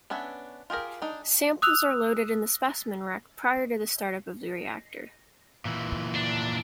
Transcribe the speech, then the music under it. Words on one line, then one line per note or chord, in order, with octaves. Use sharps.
Samples are loaded in the specimen rack prior to the start-up of the reactor.
B3 C#4 D4 C#5 E5
F4 G4 G#4 A#4
D4 D#4
D#6 E6 F#6 F7
A#2 E3
D4